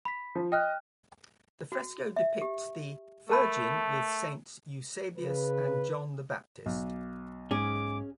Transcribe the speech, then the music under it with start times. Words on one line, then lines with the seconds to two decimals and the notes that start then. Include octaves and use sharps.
The fresco depicts the "Virgin with Saints Eusebius and John the Baptist".
0.05 B5 B6
0.35 F3
0.52 D#5 G5 F6 F#6
1.72 F#4
2.16 E5
2.42 G4
3.29 A3 A#4 A5 B5
5.17 C#3 B4
6.66 B1
7.51 G#2 C#4 G#4 D6